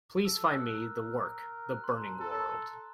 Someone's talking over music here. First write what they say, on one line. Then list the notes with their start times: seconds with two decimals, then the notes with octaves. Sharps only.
Please find me the work, The Burning World.
0.25 A4 E6
0.41 E6
0.50 F#6
0.57 F6
0.73 A#4
1.71 F#6
1.84 C6
1.91 A5
1.96 A#5
2.08 A5
2.20 A4